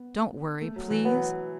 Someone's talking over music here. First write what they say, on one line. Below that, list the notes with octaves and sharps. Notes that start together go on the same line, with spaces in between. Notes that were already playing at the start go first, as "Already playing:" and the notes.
Don't worry, please.
Already playing: B3
A3
F#3
E3
F#3 B3